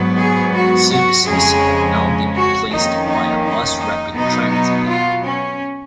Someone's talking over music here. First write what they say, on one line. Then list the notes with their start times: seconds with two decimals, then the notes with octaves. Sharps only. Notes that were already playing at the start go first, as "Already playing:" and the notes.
Services have now been replaced by a Bus Rapid Transit Line.
Already playing: G#2 F#3 B3
0.19 G#4
0.54 F#4
0.91 F#4
1.27 F2 C#3 G#3 C#4 G#4
2.35 F#4
2.70 F2 D#3 A#3 C#4 D#4
3.07 D#4
3.43 D#4
3.78 D#4
4.14 B2 F#3 B3 D#4
4.51 D#4
4.87 F4
5.23 C#4